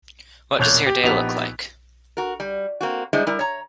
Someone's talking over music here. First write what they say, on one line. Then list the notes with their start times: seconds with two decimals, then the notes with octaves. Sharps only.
What does your day look like?
0.59 E1 A#2 C#5 F#6 G6 F7
0.86 G4
1.03 A#1 B3 D#4 G4 B6 F7
2.17 F#4 A#4
2.40 G3
2.81 A#3 C4 F#4
3.13 G3 G#3 D4 E4 C5
3.27 G3 E4 A#4
3.39 C#5 A#5